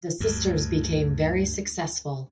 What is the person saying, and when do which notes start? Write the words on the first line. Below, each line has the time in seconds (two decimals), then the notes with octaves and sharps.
The sisters became very successful.
0.20 D2 G2